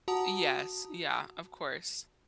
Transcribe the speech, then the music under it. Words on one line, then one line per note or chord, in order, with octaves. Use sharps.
Yes. Yeah, of course.
F#4 F#5 A5 A#5 D#6